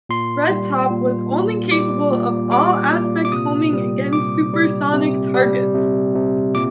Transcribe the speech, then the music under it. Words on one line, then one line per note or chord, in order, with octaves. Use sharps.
Red Top was only capable of all aspect homing against super-sonic targets.
A#2 C6
G3
A#2
A#2
G3 D6
A#2
G3 D6
A#2
D6
C3 D#6
G3
C3 D6
G3
C3
G3
C3
C3
A#2 D6